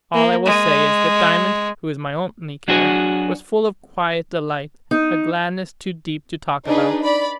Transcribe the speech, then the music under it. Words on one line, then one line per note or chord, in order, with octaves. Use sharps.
All I will say is, that Diamond, who is my only care, was full of quiet delight--a gladness too deep to talk about.
A#3
G#3
F#3 D4 F#4 G#4
D#4
D4 D#4 G#4 B4
D5 B5